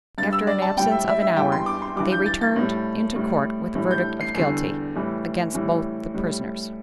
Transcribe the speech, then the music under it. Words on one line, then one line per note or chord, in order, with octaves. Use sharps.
After an absence of an hour, they returned into court with a verdict of "Guilty" against both the prisoners.
G2 G3 A6
E6
D5
A5
A2 G3 G5
E5
E5
E5
E2 E3 G3 G5
C6
D6
C6
G2 E3 G3 D6
G6
A6
A6
A2 G3
A2 G3
A2 E3 G3
G6
C7
E2 D3 G3 C7
A2 E3 G3
A2 E3 G3
A2 G3